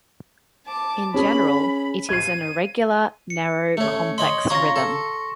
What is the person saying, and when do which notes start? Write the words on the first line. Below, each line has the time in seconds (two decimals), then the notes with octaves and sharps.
In general, it is an irregular, narrow complex rhythm.
0.67 A5 D6
1.14 C#4 G#4 B5
2.09 G#6 C7 D#7
3.30 C#7
3.77 A3 C#4
4.18 C#5 D#5 B5 C6
4.50 C#4 F4 A#5 C#6 A#6
4.76 A4